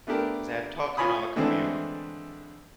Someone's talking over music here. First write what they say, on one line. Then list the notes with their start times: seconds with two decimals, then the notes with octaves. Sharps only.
They are talking of a Commune.
0.07 A3 B3 D4 G4 A#4
0.97 F4 C#5 G#5 B5 D#6
1.36 D3 E3 G#3 A3 C4 D4